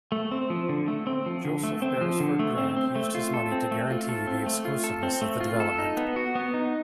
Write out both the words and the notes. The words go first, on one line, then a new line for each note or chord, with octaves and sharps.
Joseph Beresford Grant used his money to guarantee the exclusiveness of the development.
A3
C4
F3
D3
A3
C4
F3
D3
A3
C4
F3
D3
A3
C4
C4
A3
F4
A4
C4
A3
F4
A4
C4
A3
F4
A4
C4
A3
F4
A4
D#4
B3
F#4
B3
D#4